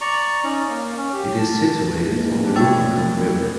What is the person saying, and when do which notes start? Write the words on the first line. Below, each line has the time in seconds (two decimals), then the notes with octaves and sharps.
It is situated on the Rubicon River.
0.01 D5 A#5 C#6
0.44 C#4 D#4
0.69 A#3
0.97 C#4
1.13 G4
1.38 A5
2.10 G#3 A#3
2.38 C4 D4
2.56 A3 E4 C#5 G5